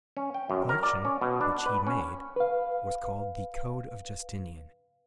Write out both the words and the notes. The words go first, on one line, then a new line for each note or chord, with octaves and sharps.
The collection which he made was called the CODE OF JUSTINIAN.
C#4
G5
F#2
A#4
D5
C#4
B2
D4
B4
C#4
B4 F5